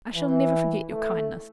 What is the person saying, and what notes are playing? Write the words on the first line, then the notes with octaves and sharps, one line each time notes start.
I shall never forget your kindness.
E3
A3